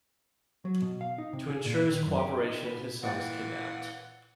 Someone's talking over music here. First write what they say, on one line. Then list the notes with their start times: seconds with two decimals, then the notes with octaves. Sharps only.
To ensure his cooperation, his son is kidnapped.
0.65 F#3
0.82 B2
1.01 F5
1.18 D#4
1.33 C3
1.50 G#4
1.65 A#2
1.92 D#3
2.05 F#2
2.19 G4
2.42 D#4
2.66 B4
3.03 A#2 E3 F#5 G5 A6